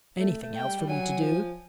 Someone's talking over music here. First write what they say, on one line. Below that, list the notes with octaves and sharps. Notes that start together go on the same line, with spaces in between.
"Anything else for me to do?"
A3
A3
G5
G3
G3
F#3 G#5
F3